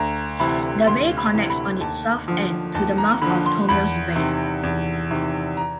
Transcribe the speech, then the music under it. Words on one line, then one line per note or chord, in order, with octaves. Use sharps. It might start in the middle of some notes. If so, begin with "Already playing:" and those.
The bay connects on its south end to the mouth of Tomales Bay.
Already playing: D2 A#5
C3 E3 B5
D2 C6
B5
C3 E3
B5
D#2 A5
D3 F3
D#2 A5
A#5
D3 F3 B5
C6
E2 B5
C3 D#3
E2
C3 D#3
A#5